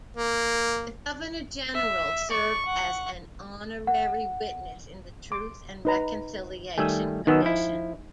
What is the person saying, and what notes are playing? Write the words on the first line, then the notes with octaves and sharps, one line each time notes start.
The Governor General served as an honorary witness in the Truth and Reconciliation Commission.
A#3
E5
D5 C#6
F#5 C#6
F#5
C6 D6
D#4 B4 A#5
D#3 G3 A3 G#5 E6
D#3 F#3 B3 D#4 G#5 E6
F3 E4